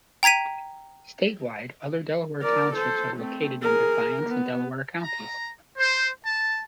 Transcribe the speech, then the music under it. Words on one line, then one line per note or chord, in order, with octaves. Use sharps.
Statewide, other Delaware Townships are located in Defiance and Delaware counties.
G5 A#5 G#6 B6 D#7
A#4 D5
A4 C5
A3 C4
G#4 A#4
B3
A#5
C5
A5